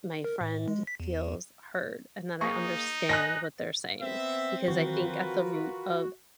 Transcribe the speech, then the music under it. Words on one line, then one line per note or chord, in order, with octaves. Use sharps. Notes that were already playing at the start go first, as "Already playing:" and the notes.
my friend feels heard and that I understand what they're saying. Because I think at the root of
A#4
A2
G#3
B6
E2
A#3 D#4 G#4 C#6
D#5 G#5 F#6 A#6
B3 C4 E5
D#3 E3 F#3 F4 F#4 A#4 B4